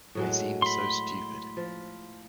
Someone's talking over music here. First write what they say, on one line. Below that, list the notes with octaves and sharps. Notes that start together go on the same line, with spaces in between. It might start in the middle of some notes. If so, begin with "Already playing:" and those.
They seem so stupid.
A2 F#3 G#3
B5 C6
F3